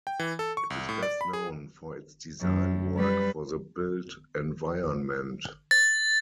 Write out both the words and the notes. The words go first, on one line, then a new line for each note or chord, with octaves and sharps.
It is best known for its design work for the built environment.
G5
E3
A4
C#6
C2
A2
D5
B5
G#4
F#2
G3 B4
A6